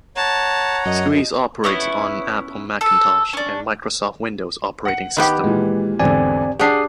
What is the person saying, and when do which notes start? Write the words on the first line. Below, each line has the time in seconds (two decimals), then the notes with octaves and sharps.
Squeeze operates on the Apple Macintosh and Microsoft Windows operating systems.
0.16 C#5 F#5 A5 A#5
0.86 F#2 D#5
1.64 B3 C#4 E4
2.81 A4
3.33 C#4 D4
4.85 F#5 C#7
5.17 D#3 B3 G4
5.44 A#2 E3 G#3
5.99 G#1 E2 D3 C4 D5 G#5
6.59 D4 G4 G#4 F#5 D#6 C7